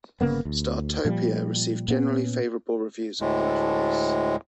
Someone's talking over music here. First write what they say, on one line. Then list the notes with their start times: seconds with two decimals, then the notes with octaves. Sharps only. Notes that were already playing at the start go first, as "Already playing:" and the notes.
"Startopia" received generally favorable reviews upon its release.
0.21 G1 C#3 A#3 B3
0.45 D2
1.05 A#2 F3 G3
1.88 A#2 B3 C#4
3.21 D2 A2 G#3